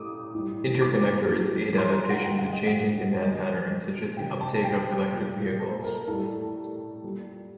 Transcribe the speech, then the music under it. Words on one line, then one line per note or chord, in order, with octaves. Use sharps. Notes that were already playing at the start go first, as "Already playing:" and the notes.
Interconnectors aid adaptation to changing demand patterns such as the uptake of electric vehicles.
Already playing: A2 A3 D6 D#6
A2 G3
D6
A2 F#3 A3
C6
A#5
F#5
D3 F#3 A3 G5
F#5
D#5
F#5
D3 F#3 A3 D#5
C3 D#3 F#3 G5
A5
G5
A#2 G3
A4
A#4
A2 G3 A4
A#2 G3